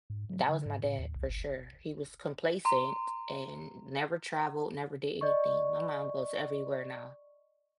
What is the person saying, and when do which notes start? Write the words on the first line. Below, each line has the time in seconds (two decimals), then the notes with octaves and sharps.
that was my dad for sure. He was complacent and never traveled, never did anything. My mom goes everywhere now.
0.10 G#2
0.30 F#3
0.49 D3
0.66 G#2
0.84 A2
0.99 D#2
1.16 C2
1.29 G1
2.65 A#5 C6
5.21 D5 D#5 C#6